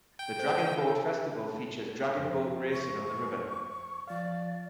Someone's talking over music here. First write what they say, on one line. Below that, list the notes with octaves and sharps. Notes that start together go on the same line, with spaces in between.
The Dragon Boat Festival features dragon boat racing on the river.
G5
C5
D#3
A4
F2 C5
C#6
F3 D5 F5